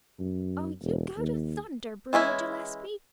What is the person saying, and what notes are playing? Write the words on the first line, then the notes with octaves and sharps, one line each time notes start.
"Oh, you go to thunder, Bruno Gillespie!"
F#2
E1
D#2
E3 G#3 C#4 E4